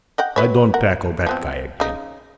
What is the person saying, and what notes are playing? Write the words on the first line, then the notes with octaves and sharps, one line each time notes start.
"I don't tackle that guy again."
D#5 F#5 G5
F#3 B4 C#5
A#4 F#5
F3 B3 C4
C#3 D#4